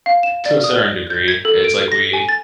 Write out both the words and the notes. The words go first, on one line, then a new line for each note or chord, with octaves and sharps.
To a certain degree, it's like we
F5
E7
D5
D#6
G6
G#6
A4
D7
A#6
G#5
A6